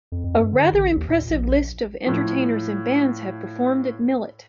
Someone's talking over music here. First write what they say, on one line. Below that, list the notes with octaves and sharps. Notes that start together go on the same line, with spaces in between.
A rather impressive list of entertainers and bands have performed at Millett.
F2
F2
G2
D3
A1
D#2
A#2
A#1
A2 F3